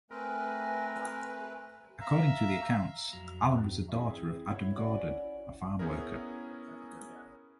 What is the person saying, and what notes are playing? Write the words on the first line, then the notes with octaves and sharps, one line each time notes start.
According to the accounts, Allan was the daughter of Adam Gordon, a farm worker.
A3 C4 A#4 B4 G#5
E5 F5 A#5
F2 F#3 A#5
C4 E4 G#4
E4 F#4 C#5 E5
C#4 F#4 D5
B3 C#4 E4 G#4 A#4